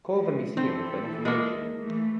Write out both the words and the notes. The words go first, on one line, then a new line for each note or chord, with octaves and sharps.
Call the museum for information.
F3 G#3
E3 C4 E4 A4
G#3 A#3
E3 A3